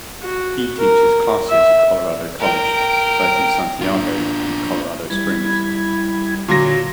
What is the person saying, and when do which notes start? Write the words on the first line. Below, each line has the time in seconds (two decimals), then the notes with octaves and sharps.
He teaches classes at Colorado College both in Santiago, and Colorado Springs.
0.22 F#4
0.79 A#4
1.49 E5
2.39 A#4 G5
3.81 D4 F4
5.10 G3 E4 B5 G#6
6.48 A#2 D3 F#3 A#6